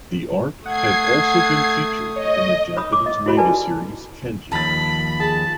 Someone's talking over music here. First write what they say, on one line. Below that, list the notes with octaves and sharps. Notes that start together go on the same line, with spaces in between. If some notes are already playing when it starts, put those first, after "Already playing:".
The art has also been featured in the Japanese manga series Kenji.
A3 F#5 D#6 G#6 C7
C#5 D#5
C#5 B5 D#6
D6
D#5
E4 F#4 B5
A4 B4 D5 G#5 A5
D#2 F3 A5 B5 A6
G#4 A5